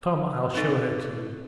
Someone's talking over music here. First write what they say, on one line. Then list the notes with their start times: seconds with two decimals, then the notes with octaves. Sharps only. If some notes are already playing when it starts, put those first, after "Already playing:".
Come, I'll show her to you.
0.55 C4 D#4 A4